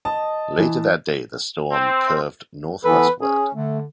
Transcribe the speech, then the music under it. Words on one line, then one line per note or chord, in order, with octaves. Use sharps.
Later that day, the storm curved northwestward.
D#5 A5
E3
C4
E3 B3 A4 B4
C#4 G#4
D3 A3